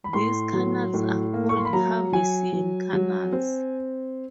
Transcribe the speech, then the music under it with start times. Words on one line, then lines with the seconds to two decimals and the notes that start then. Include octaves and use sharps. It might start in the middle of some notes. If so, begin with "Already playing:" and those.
These canals are called haversian canals.
0.04 B5
0.13 A2 C6
0.53 F#3
0.94 A2
1.34 A#3
1.49 C#6
1.57 C6
1.65 B5
1.73 F#3 A#5
2.13 F#3 G#5
2.53 F#3
2.93 F#3
3.33 C4